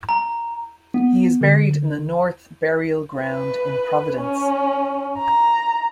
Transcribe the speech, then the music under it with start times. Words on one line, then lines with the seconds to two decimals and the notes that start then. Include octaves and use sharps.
He is buried in the North Burial Ground in Providence.
0.09 A#5
0.94 B3
1.41 D3
3.21 B4
4.18 C#4
5.18 A#5